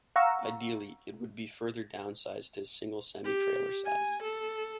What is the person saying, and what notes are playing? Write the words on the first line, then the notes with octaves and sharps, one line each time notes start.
Ideally it would be further downsized to a single semi trailer size.
F5 F#5 A#5 C#6 E6
G4
G#5
A4